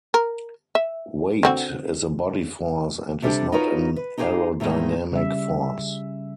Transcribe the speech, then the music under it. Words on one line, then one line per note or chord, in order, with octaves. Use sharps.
Weight is a body force and is not an aerodynamic force.
A#4
E5
D3 C4 F#4
C3 G3 D4 F#4 G4 A4
D#4 F4 F#4 A#4 B4 C#5
B4
D#4 G4 G#4 C5 F5
A2 D#3 F#3 G#3 A#3
C#3 G3 E5